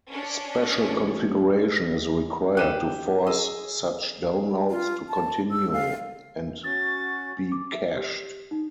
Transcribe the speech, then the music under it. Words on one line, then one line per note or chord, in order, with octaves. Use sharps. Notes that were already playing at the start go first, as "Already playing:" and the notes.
Special configuration is required to force such downloads to continue and be cached.
C#4 D4
A1
G4 F#6 D#7 E7
G#4 D#5 E6
F4
A5
E6
F5
C#4 F#4 A6
D6
E5
G4
D#4